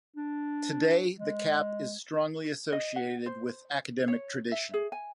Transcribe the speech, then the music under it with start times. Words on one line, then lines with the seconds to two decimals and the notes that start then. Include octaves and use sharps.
Today the cap is strongly associated with academic tradition.
0.16 D4
1.17 G#3
2.72 D#5
2.96 F#5
3.26 C5
4.08 C#5
4.51 E5
4.74 G#4
4.92 G#5